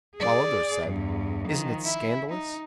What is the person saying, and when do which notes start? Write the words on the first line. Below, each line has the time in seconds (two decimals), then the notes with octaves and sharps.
While others said--"Isn't it scandalous!"
0.16 G#4 D5
0.88 E2 G2
1.48 D#3 F3
1.85 E4
2.29 D#4